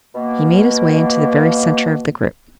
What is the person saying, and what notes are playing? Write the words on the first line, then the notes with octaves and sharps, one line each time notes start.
He made his way into the very centre of the group.
B2 A#3